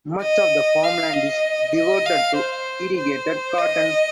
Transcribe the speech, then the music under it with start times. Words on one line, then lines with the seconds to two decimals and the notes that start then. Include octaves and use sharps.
Much of the farmland is devoted to irrigated cotton.
0.22 D#5
0.84 F5
1.14 D#5
1.74 D#5
2.06 F5
2.36 C5
2.97 C5
3.58 D#5